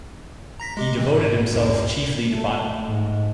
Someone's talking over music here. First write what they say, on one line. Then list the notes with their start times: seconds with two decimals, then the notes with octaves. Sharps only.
He devoted himself chiefly to botany.
0.60 A#5 A#6 B6
0.77 G#3 G4 D#5
0.97 E3 C4
1.09 G#2
1.53 C#2 F#2 A2
2.32 A3
2.88 G#2